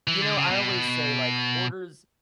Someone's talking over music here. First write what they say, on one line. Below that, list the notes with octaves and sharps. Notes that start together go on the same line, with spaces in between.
you know, I always say, like, Hoarders,
E3
D3
C#3
B2